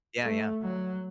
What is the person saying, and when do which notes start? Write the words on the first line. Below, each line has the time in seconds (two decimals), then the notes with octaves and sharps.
Yeah, yeah.
0.23 A3
0.62 F#3